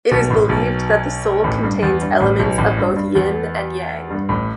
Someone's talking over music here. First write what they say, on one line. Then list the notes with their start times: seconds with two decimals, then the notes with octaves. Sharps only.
It is believed that the soul contains elements of both yin and yang.
0.11 B1 B2
0.30 A1 A2
0.49 B1 B2
1.44 A1 A2
1.63 G2
1.82 E2
2.01 G2
2.20 A1 A2
2.39 B1 B2
2.58 A1 A2
2.77 G2
2.96 G2
3.15 E2
4.10 G2
4.29 A1 A2